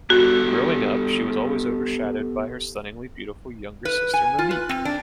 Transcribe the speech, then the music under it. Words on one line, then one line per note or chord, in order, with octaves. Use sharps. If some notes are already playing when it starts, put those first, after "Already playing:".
Growing up, she was always overshadowed by her stunningly beautiful younger sister Monique.
B3 F#4 G4 A4
B4
G#5
F4
B4
C4
D4